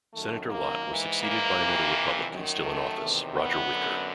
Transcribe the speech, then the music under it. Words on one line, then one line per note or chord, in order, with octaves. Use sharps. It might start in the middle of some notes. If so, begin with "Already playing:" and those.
Senator Lott was succeeded by another Republican still in office, Roger Wicker.
F#2 D#3 A3
A#3
G#2 E3
A#3
F2 C3 E3
F#2 D#3
A3
E2 C3 D#3
B3
F#2 D3